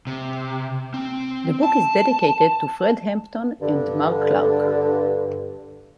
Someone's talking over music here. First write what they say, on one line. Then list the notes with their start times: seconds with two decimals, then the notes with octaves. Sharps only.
The book is dedicated to Fred Hampton and Mark Clark.
0.07 C3
0.94 C4
1.63 A5
3.60 G2 D3